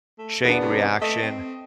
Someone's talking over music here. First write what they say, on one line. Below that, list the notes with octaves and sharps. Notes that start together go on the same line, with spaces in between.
chain reaction.
A3
E2 B3 D4
C3
A3 D#5
C4